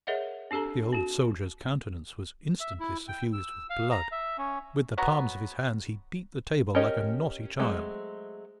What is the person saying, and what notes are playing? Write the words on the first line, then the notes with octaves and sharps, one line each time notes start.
The old soldier's countenance was instantly suffused with blood; with the palms of his hands he beat the table like a naughty child.
G#4 A#4 C#5 D#5 E5 F#5
C4 D4 G4 A4 A#5
C4 F#4
E5
E4
G5
E6
F5
A#5
E5
C#4
B3 F#4 C#5 A#5
C#4 G4 A#4 C#5 D#5
F#3 G#3 A3 C4